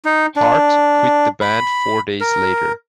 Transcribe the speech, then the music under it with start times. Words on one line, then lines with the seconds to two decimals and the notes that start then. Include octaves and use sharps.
Hart quit the band four days later.
0.05 D#4
0.36 D4
1.41 B5
2.21 A#4